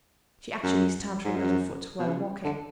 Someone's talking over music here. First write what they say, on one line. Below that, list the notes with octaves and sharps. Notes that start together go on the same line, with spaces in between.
She actually stamped her little foot while walking.
F#2
G#2
F#2
B2
C#3
D3